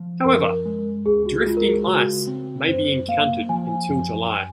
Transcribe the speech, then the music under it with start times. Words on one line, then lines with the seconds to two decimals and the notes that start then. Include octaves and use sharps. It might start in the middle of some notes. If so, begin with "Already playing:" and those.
However, drifting ice may be encountered until July.
Already playing: F3
0.25 F#2 A#4
0.65 G#3
1.06 C#2 G#4
1.26 F#4
1.46 G#3 F4
1.57 A#4
1.67 G#4
1.87 C#3 F#4
2.27 C4
2.68 F#2 C5
3.08 A#3 F5
3.49 F3 G#5
3.89 F#2